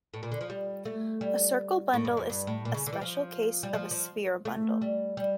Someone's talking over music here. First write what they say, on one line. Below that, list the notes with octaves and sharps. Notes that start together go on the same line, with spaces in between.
A circle bundle is a special case of a sphere bundle.
A2
A#2
D3
F3
G3
A3
G3
A2
G2
F2
G2
A2
A#2
C#3
D3
E3
F3
G3
F3
F3
A3
G3
G3